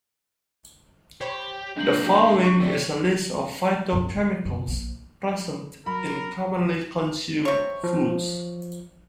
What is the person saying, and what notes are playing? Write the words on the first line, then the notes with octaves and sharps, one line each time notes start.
The following is a list of phytochemicals present in commonly consumed foods.
G4 C5 C#5 B5
G#3 A#3 D4 G6 F#7
F#3 C#4 G4
C#6 F#6 B6 C7
D3 G3 A3 C4 C#5
F#2 C#4
D3
F#2 C#3
A#1 F3
F#3 A#4 B5
C3 C#5
F3